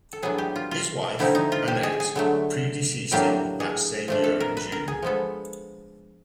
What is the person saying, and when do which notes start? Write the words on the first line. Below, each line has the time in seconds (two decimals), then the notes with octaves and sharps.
His wife, Annette, predeceased him that same year in June.
0.13 A4
0.22 A2 F#3 B3 D4 G#4
0.38 G4
0.56 F4
0.71 F4
1.19 D3 F3 A3 C4 D#4 E4
1.35 D#4
1.52 F4
1.68 G4
1.83 G#4
2.00 G#4
2.16 D3 F#3 A3
3.11 A2 F#3 A#3 D4 G4
3.60 G#4
4.08 F3 A3 D4
4.24 A4
4.40 A#4
4.57 B4
4.72 A#4
4.88 G#4
5.02 F3 G#3 B3 A4